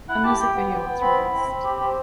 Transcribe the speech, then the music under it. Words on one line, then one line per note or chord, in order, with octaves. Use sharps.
A music video was released.
E4 F#5
G4 A5
G4 G5
B3
B3
B3
C4 B5
E4
C4
C4
G4
C4